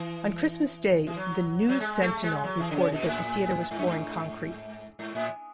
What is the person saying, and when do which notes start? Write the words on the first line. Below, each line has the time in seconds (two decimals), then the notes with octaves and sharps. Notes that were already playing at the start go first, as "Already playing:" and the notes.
On Christmas Day the "News-Sentinel" reported that the theatre was pouring concrete.
Already playing: E3
1.07 E3
1.17 F#3
1.69 F#3
1.80 G#3
2.02 A3
2.23 G#3
2.44 F#3
2.59 E3
2.71 D3
2.76 C#3
2.92 B2
3.02 G#2
3.08 A2
3.71 G#2
3.79 F#2
3.86 G#2
4.99 G#2
5.15 A2